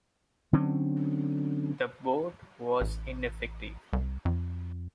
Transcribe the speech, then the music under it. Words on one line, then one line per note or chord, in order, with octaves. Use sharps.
The Board was ineffective.
D3 F#3 C4 C#4
A1
C2
F2